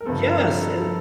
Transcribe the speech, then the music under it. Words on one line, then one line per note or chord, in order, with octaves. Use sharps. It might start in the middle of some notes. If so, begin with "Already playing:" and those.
Yes, and
A#4
G1 G2 F3 C4 A4
A#4
A#4
A4
A4
A4